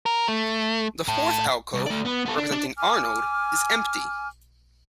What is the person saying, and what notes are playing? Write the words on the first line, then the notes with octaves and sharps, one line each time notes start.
The fourth alcove, representing Arnold, is empty.
A#4
A3
A2
C2
A3 D5
B3
B3 A4
D4
D4
G#5 D6 F6